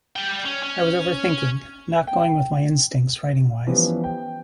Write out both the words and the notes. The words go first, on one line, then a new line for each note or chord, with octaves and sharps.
I was over-thinking, not going with my instincts writing-wise.
G3 G5
C#4
C#4
G5
E3 F3 G3 B3 C#4
G5